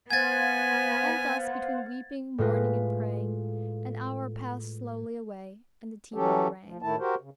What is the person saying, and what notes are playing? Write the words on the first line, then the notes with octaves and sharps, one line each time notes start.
And thus between weeping, mourning, and praying, an hour passed slowly away, and the tea-bell rang.
B3 C5 F5 F#5 G#5 G#6 A6
A2 G#3 F4 B4 A#6
E3 F#3 C#4 G4 A4
F3
A2 D#3 A3 E4 A5
F#4 G4 A#4 C5
C#3